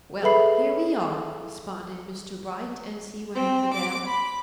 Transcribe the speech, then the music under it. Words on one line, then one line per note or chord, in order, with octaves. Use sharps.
"Well, here we are," responded Mr. Bright, as he rang the bell.
G#4 A4 B4 E5 B5 C7
C4
D6
B5